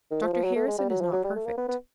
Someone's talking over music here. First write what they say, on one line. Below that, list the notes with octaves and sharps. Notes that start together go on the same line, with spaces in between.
Dr Harrison is not perfect.
D#3
F3
F3
F#3
A3
G#3
G3
F#3
F3
F#3
G3
A3
A#3
B3
B3